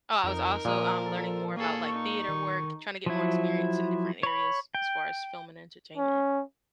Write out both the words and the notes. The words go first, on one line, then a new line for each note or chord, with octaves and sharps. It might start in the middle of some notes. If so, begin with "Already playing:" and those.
Oh, I was also, um, learning more about, like, theater work, trying to get more experience in different areas, as far as film and entertainment.
F2 D#4 A#4
A#2 F3 G#3 B3 D#6
A4
A#3 G#4 A4 C#6
D#4
D#3
F3 F#3 E4
C#5 B5
G5
C#4